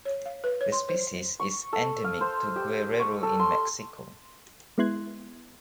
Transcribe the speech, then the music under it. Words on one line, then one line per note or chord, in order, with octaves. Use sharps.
The species is endemic to Guerrero in Mexico.
C#5
F5
B4
C#5
C6
C5
C#6
A4
F5
C5
G4
C#6
A4
C6
G#3 B3 E4 C6 F#6 G#6